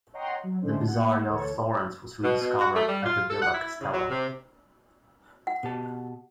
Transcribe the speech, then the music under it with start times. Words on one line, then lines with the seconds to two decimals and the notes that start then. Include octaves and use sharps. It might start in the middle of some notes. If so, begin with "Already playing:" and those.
The Bizzaria of Florence was rediscovered at the "Villa Castello".
0.13 C#5 D#5 F#5 G5 A#5 C6
0.44 F#3
0.62 D3 G#3 A3 C#4 D4 C5
0.88 A#3 F#5
1.28 D2 E3 A4 C#5
2.24 B2
2.41 B2
2.60 F#4
2.75 A3
2.88 G3
3.05 F4
3.29 A4
3.42 F#5
3.54 E4
3.81 C#3
3.93 F#3
4.10 C3
5.47 F#5
5.63 B2 G4 A5